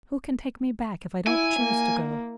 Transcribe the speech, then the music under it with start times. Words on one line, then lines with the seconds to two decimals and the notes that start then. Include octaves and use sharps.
Who can take me back, if I don't choose to go?
1.27 E4 G#5
1.59 A#3